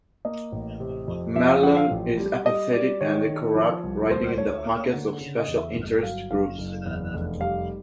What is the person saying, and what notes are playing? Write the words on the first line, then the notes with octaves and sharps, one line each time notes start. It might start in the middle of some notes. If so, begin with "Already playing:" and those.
Marlon is apathetic and corrupt, riding in the pockets of special interest groups.
A#3 D#5
A1
C3
F2
F3 E5
F5
F3 F#5
F5
A1
G3
G3 D#5
G3 D5
D#3 C#5
D#3
F3
C2
D2 C5
A3 C#5
A#3
D3
C#3
D#5
E2
E5
G1
F#3 F5
F#1 F5
F#1
E2
F1
G3 F5